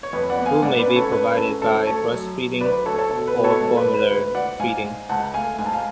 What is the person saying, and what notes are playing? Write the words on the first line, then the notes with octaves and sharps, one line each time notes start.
Food may be provided by breastfeeding or formula feeding.
C#5
F2 B4
D5 F#5
B3
F5 G#5
G#2 D5 F#5
B4 D5
C#4
A4 C#5
G#2 B4
C#4 A4
D2 A4
A3 A4 C#5
F#2
F#2
D2 B4 D5
D2 A4 C#5
A4 C#5
B2 A4
B4
B2
A4 C#5
G#2 A4
B4
G#2
B4
D2 B4
D2 D5 F#5
G#2 F5 G#5
G#2
C#2 F#5 A5
A3 F5 G#5
G#2 G#5
A5
F5 G#5